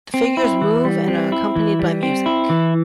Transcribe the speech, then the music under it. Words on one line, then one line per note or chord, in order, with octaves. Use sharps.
The figures move and are accompanied by music.
C4
E4
E3
G3
C4
E4
E3
G3
C4
E4
E3